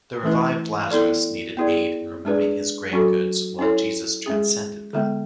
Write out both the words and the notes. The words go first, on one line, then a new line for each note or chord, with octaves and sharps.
The revived Lazarus needed aid in removing his grave goods while Jesus transcended them.
E3 A3 C#4 E4 B4
B3 E4 A4 D5
B3 E4 G#4 D5
G#3 D4 G#4 B4 D5
F#3 C#4 F#4 A4
C#4 E4 A4 C#5
G#3 C#4 G#4
D3 G#3 B3